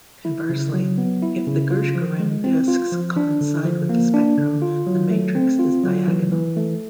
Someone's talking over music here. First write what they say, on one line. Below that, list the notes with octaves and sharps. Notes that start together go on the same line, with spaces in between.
Conversely, if the Gershgorin discs coincide with the spectrum, the matrix is diagonal.
E4
C#3
F#3
B3
E4
C#3
F4
F3
G#3
C4
F4
F3
D4
D3
F3
A#3
D4
D3
F4
F#3
A3
C4
F4
F#3
E3
E3
A3